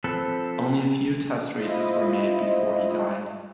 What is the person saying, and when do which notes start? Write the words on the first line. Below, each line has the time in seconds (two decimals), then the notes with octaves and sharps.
Only a few test races were made before he died.
0.04 F3 C4 A4 B4
1.60 E4 F4 C5 D#5